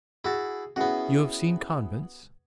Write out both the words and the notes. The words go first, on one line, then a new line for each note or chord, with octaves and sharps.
"You have seen convents?"
E4 F#4 G#4 A5
B3 C#4 E4 F#4 G#4